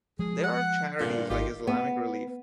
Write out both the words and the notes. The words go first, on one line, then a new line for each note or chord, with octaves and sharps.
There are charities like Islamic Relief.
F3 G#3 G#4
F#5
G2 A#2 D3 D4
G#1 D#3 F4 G4
B3